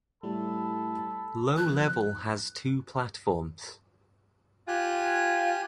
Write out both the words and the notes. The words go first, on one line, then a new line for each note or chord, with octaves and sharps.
Low Level has two platforms.
A2 G3 A4 B5
B1 F3 F#6
F4 G4 G#5 F#6